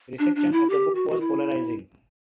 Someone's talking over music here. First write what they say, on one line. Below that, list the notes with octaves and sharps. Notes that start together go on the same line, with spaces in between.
Reception of the book was "polarizing".
D4
D4
E4
G4
F#4
F#4
E4